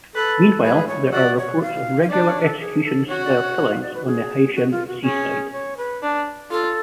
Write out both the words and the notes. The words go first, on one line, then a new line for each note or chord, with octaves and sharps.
Meanwhile, there are reports of regular execution-style killings on the Haitian seaside.
A4 B4
G#4 B4
C#5
F#4 D5
C#5
F5
F5
D4 D5
C#5
A4
G#4
A4
F#4 C#5
D5
C#5
C#5
F5
D5
B4
G#4
F#4
F4
F#4
C#4 G#4
C#5
B4
D4
F4 A4